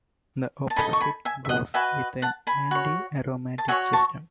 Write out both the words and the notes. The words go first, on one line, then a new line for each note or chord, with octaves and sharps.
The opposite goes with an anti-aromatic system.
A5
D#4 A4 D#5 G#5 B5
C#6
G#5 B5
E5 G#5
E5
D#5 F#5
F#4 B4 D#5 E5 G#5
F#5 A5
G#5 B5
F#4 C#5
A5
F#4 C#5 E5 G#5
A5 C#6